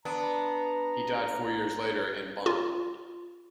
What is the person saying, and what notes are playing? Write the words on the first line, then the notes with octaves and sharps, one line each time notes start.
He died four years later in Bonn.
B3 D4 A#5
F4